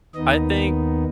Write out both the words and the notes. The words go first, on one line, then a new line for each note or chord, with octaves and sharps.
I think
D#2 D#3 B3 D#4 D#5